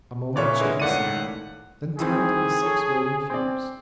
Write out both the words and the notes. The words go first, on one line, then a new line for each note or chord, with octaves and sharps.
A moment she considered; then turned to the six waiting cubes.
A#2 C#3 E3 A3 C#5 D5
D3 E3 G#3
C#2 A2 D#3 D5 F#5 D#7
D#3 E3 C4 G#4
A4 C#5
C4 D5